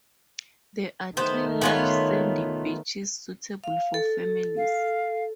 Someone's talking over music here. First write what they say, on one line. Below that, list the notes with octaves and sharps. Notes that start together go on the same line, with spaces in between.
There are three large sandy beaches suitable for families.
D#3 A3 B3 C5
B3 F4 C#5
F5
A4
F5